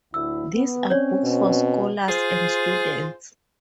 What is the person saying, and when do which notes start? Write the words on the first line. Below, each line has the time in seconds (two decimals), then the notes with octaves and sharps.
These are books for scholars and students.
0.14 D2 A2 E4 E6
0.53 B3
0.90 C4 C#4 C#5 D5
1.24 B2
2.09 F4 G#4 C5